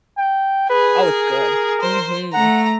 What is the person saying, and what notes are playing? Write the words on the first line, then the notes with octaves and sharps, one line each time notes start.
Oh, it's good. Mhm.
G5
G#4 B4
A#4
C5
A3 F#5 A#5